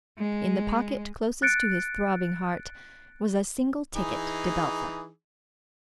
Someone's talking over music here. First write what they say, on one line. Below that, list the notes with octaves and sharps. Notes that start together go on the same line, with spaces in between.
In the pocket closest to his throbbing heart was a single ticket to Belpher.
G#3
F#6 A6 C#7 D7
E3 D#4 G#4